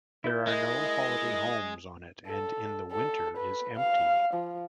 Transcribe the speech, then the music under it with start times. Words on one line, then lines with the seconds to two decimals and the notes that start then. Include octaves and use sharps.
There are no holiday homes on it and in the winter is empty.
0.24 E4 A#4 G6
0.47 G#3 D#5
2.27 A4
2.92 A4
3.37 B4
3.76 F5
4.34 F3